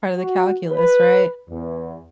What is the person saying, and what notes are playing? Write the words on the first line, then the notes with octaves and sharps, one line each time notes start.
part of the calculus, right.
F#4
B4
E2